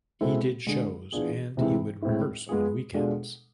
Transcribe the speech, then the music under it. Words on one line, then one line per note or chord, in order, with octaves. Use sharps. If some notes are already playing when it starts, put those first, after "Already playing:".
He did shows and he would rehearse on weekends.
B2 G#3 C4 E4 A4
D3 G#3 D4 G#4
E3 B3 D4 F4 G#4
C3 E3 G#3 C4 E4
A2 G#3 C4 E4
G#3 B3 F4 G#4
B2 G#3 D4 F4 A4